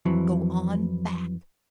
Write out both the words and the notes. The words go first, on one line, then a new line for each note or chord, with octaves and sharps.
"Go on back!"
F2 E3 F#3